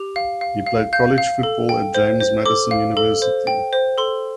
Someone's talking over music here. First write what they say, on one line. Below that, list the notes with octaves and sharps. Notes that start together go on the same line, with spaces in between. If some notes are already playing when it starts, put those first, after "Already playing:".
He played college football at James Madison University.
Already playing: G4
F5
F5
F5
F5 G6
F5
A4
G5
C5
C5
A4 D6
F5
A4
C5
G5
C5
A4 C6